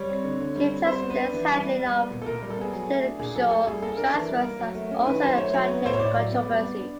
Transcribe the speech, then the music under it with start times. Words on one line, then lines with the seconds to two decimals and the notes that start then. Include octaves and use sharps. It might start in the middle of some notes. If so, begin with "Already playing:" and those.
Chief Justice's handling of judicial transfers has also attracted controversy.
Already playing: G3 C#5
0.09 C4
0.24 D3
0.40 D3
0.56 G3
0.72 C4
0.87 G3 C5
1.02 B3
1.10 B4
1.18 D4
1.34 E3
1.49 G3
1.64 B3
1.80 G3
1.96 B3
2.11 A#2
2.22 A4
2.26 A#2 A#4
2.42 G3
2.50 A4
2.58 B3 G#4
2.73 F#3
2.89 A3
3.04 D4
3.19 A#2 G#4
3.35 F#3 A4
3.51 A3 A4
3.67 G3 G#4
3.82 A#3 A4
3.97 D4 A#4
4.13 E3
4.29 G3
4.44 A#3
4.60 F#3
4.75 A3
4.91 C#4
5.06 D#3 B4
5.22 F#3 C5
5.38 A3 C#5
5.53 F#3 C#5
5.69 B3
5.85 A2 C5
5.93 C#5
5.99 A2 D5
6.15 F#3
6.32 B3
6.47 G3
6.62 B3
6.77 D4